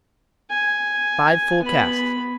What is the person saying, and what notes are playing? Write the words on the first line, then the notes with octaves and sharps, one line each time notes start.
"Five full casks?"
G#5
B3 B5